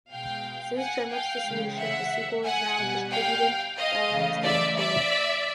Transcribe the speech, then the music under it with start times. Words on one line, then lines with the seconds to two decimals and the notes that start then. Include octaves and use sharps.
Since Trimark's dissolution, the sequel is now distributed by Lions Gate Entertainment.
0.12 B2 G#3 F5 G5
0.78 F#5 G#5
1.11 F5 G5
1.45 C#3 E3 G#3
1.78 E5 F#5
2.45 F#5 G#5
2.78 B2 G3
3.11 F5 G5
3.78 D#5 F5
4.11 C#3 E3 A3
4.44 D5 E5
4.77 D5 E5